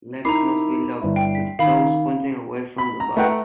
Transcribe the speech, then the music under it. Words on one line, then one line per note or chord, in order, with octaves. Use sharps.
Legs must be locked, with toes pointing away from the body.
D#4 E4 A#4 A#5 B5 D6 C7
G1 D4 E4
G5 C7
B6
D#3 F5 B5
B5
A#5
A3 B4 E5 F#5 G5 A#5